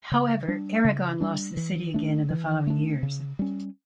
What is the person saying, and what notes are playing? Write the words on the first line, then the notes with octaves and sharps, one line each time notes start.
However, Aragon lost the city again in the following years.
C#3
G3 D4
C#3
G3 D4
E3
A3 D4
E3
A3 D4
C#3
G3 C#4